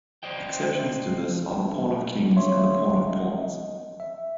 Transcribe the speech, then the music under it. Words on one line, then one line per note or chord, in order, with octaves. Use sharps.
Exceptions to this are the Pawn of Kings and Pawn of Pawns.
C5 D5 D#5 G5
C#5 E5 F5 C6 C#6
D#5
E5